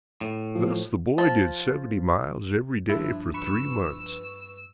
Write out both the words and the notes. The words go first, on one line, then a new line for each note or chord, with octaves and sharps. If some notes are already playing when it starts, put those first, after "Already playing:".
Thus the boy did seventy miles every day for three months.
A2
F3
F3
G2 F3 D4 E4
B4 C#6 E6